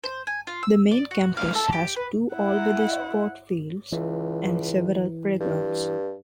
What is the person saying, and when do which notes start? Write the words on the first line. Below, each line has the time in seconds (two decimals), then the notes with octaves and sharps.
The main campus has two all-weather sports fields and several playgrounds.
0.04 C5
0.27 G#5
0.47 F4
0.63 E6
0.91 D5
1.11 F#4
1.37 F5
1.55 A4
1.72 G4
1.96 B4
2.34 E4 F#5
3.92 C#2 E3
5.40 G2